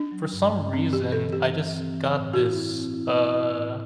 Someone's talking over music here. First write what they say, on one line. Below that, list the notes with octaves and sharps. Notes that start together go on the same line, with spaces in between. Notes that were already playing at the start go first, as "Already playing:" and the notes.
for some reason, I just got this, uh,
Already playing: D4
F#3
G2
G2
E3 C4
C4 G4
E3 A4
E3 G4
E3
C4
E3
A2
E4 F#4
E4
C4
E4
E4
E4
A2